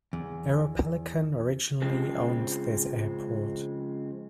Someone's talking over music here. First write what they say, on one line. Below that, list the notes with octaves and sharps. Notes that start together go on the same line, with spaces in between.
Aeropelican originally owned this airport.
E2
C#3 F3 G#3 C4